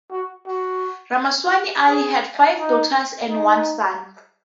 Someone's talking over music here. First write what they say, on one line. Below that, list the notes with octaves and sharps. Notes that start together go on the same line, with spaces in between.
Ramaswami Iyer had five daughters and one son.
F#4
F#4
G#4
D#4
D#4